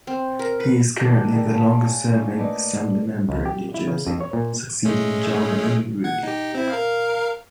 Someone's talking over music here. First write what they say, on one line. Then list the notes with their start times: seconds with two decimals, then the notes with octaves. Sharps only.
He is currently the longest-serving Assemblymember in New Jersey, succeeding John E. Rooney.
0.07 C4
0.39 A#4
0.60 B4
1.02 D#3 E4 A4 A#4 D6 F#6
1.30 D3 A3 G#4 A#4 G5
1.52 C#5 F5 A5 B5 C#6
1.82 G#5
2.14 G#3 C#4 D4 F4
2.36 A3 A#3 B4 D5 D#5
3.29 C#2
3.46 G4
3.74 E4
3.87 C#3
4.07 F2
4.21 C#5
4.33 A#2
4.85 G#3 A3 C#4
6.04 F#5 G#6
6.23 D#4 G4
6.55 C4 E4
6.70 A#4 F5